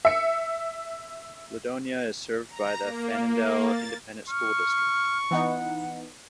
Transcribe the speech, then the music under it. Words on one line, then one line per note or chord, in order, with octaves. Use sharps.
Ladonia is served by the Fannindel Independent School District.
E5 C#7
A#5
A#3
A#3
A6
C#6 F6
E3 B3 D#4 F#5